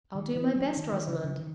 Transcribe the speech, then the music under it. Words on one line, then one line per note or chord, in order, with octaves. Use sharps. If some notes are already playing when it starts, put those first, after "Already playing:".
'I'll do my best, Rosamond.
D#3
E3
F#3
D#3
D#3
C#3
C#3
D#3